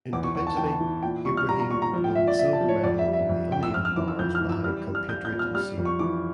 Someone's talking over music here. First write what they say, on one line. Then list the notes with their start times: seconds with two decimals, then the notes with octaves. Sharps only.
Individually Ibrahim won the silver medal on the uneven bars behind compatriot Hussein.
0.13 E2 D6
0.24 C#6
0.35 E2 C#6
0.47 A5
0.57 E3 G5
0.68 A5
0.80 E3
1.03 A#2 G5
1.25 G3 C#6
1.37 F6
1.49 G3 A#5
1.60 A#5
1.70 A#2 C#6
1.82 A#5
1.93 F3
2.04 G5
2.15 F3 E5
2.27 D5
2.39 F3 E5
2.53 A5
2.61 F3
2.69 C#5
2.84 F2 D5
2.99 E5
3.06 G3
3.13 E5
3.29 F2
3.51 F2 G5
3.63 E6
3.74 F2 F6
3.85 F6
3.96 E3 D6
4.08 E6
4.19 F2 G6
4.35 F6
4.41 E3
4.49 E6
4.64 G3 F6
4.87 G3
4.95 F6
5.09 G3 G6
5.25 G6
5.32 A#2
5.39 F6
5.54 G3 F6
5.77 F2
5.85 C#6
5.99 E3 D6